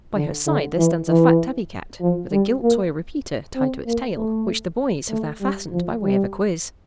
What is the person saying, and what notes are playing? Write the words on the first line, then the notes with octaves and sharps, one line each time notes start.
By her side there stands a fat tabby cat, with a gilt toy-repeater tied to its tail, which "the boys" have there fastened by way of a quiz.
D3
D3
E3
E3
F3
G3
A#3
C4
A#3
A3
A3
G3
F3
G3